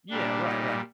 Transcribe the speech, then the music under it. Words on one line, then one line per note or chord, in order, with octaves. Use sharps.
Yeah. Right, right.
A#2 G3 D4
D#4